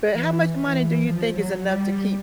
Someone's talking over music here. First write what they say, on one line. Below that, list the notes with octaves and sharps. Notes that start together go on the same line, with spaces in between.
But how much money do you think is enough to keep,
E3
E3
F3
F#3
G3